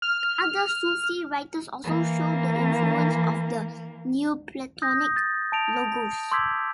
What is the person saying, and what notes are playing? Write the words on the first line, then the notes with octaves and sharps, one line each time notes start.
Other Sufi writers also show the influence of the Neoplatonic Logos.
F6
E3 A#3
D#6 G6 A#6
A6
A5 D7 F7
C6 D6 E6 G6 G#6 B6